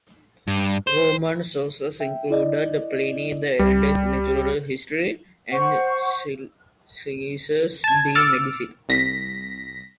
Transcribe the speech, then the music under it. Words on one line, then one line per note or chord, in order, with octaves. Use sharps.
Roman sources included Pliny the Elder's "Natural History" and Celsus's "De Medicina".
G2
C5
E5 G5
E4 D5 D#5
C#2 G3
C5 F#5 C#6
A5 G#6
D6 E6 F6 A6 C#7 D7
C2 A#6 B6